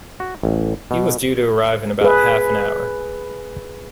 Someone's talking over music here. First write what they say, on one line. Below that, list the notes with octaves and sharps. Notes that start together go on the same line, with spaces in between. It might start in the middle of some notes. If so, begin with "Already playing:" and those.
He was due to arrive in about half an hour.
F#4
A1
B2
G#4 B4